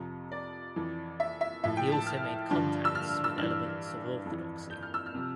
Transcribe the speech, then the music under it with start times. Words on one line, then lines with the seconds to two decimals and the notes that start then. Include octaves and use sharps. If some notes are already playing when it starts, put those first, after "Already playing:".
He also made contacts with elements of Orthodoxy.
Already playing: F2 C3 F3 A#5
0.32 D5
0.76 F2 E3
1.20 E5
1.41 E5
1.64 A2 F3 E5
1.77 G5
1.92 A5
2.06 F6
2.51 G2 D3 F3
2.85 E6
2.95 F6
3.24 E6
3.38 G2 E3 F6
4.25 F2
4.31 E3
4.70 G6
4.83 F6
4.94 E6
5.06 F6
5.14 C3 F3